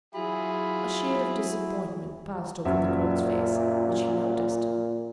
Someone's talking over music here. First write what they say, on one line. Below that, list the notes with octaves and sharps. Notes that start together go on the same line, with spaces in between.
A shade of disappointment passed over the girl's face, which he noticed.
F#3 E4 F4 G#4 B5
F#1 A#2 F#3 E5